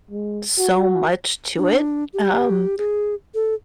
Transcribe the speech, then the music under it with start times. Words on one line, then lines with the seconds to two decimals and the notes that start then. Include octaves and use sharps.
so much to it, um
0.11 G#3
0.58 F#4
1.57 D4
2.13 G4
2.78 G#4
3.34 A4